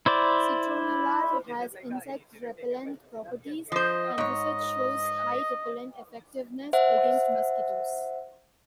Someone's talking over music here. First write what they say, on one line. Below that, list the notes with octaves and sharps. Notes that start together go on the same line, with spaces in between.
Citronellal has insect repellent properties, and research shows high repellent effectiveness against mosquitoes.
E4 C5 D5
F3 C5 D#5
G#2 C#5
C5 E5 F#5